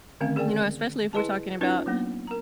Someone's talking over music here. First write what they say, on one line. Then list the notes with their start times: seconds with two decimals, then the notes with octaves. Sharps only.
You know, especially if we're talking about
0.21 D3 D#3 A3 C4 C#4 F5
0.36 G#4 A#4 D5 G5 G#5
1.13 E4 G#4 B4 D#5 G#5 A5
1.61 C#4 D#4 F4 B4 C#5
1.86 F#3 A#3 B3 D4
2.27 A#4 A#5